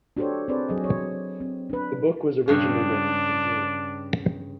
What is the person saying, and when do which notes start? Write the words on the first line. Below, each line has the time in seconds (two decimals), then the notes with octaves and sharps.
The book was originally written in German.
0.17 D4 F#4 G4 A4 C5 C#5
0.48 C4 G#4 B4 C5 D5
0.69 F#3 G#4 D#5
0.84 C#5
1.40 C4
1.70 D4 B4
2.48 G2 C#3 D4